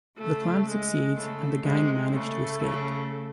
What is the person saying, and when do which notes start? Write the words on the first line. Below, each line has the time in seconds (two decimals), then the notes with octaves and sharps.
The plan succeeds, and the gang manage to escape.
0.18 C#3 A3
0.67 G#3
1.15 C#3 A3
1.63 C3 G#3
2.12 C#3 A3
2.60 C#3